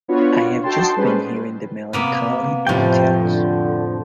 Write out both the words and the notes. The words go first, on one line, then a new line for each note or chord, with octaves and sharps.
I have just been hearing the melancholy details.
B3 D4 F4 F#4 B4 C#5
D#4 F#4 A4 G5 A5 C6
G3 G#3 C#4 B4 C5
C3 A#3 B3
F2 A2 C3 F3 G5
D3